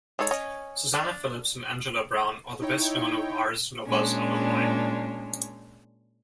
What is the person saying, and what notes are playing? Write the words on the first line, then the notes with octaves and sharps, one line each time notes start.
Susanna Phillips and Angela Brown are the best known of Ars Nova's alumni.
G#3 D#4 A4 C#5
C#4 C#5 D#5
D4
D#4 E4 C#5 G5
A#2 G#3 C#4 D4